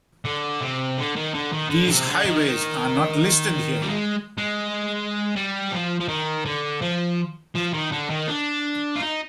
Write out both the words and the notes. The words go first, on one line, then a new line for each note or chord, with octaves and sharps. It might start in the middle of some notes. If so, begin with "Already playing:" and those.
These highways are not listed here.
D3
C3
D3
D#3
D3
D#3
D3
C3
D3
D#3
G3
G#3
G#3
G3
F3
F3
D#3
D3
F3
F3
D#3
D3
D#3
D4
F4
D#4